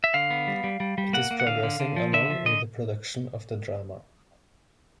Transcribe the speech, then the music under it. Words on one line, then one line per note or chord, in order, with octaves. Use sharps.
It is progressing along with the production of the drama.
E5
D3 F5
B3
G3
G3
G3
G3
A#3 F#5
A#3
F#5
D3 F5
D3
D3
F3
D3 E5
F3
D3 D#5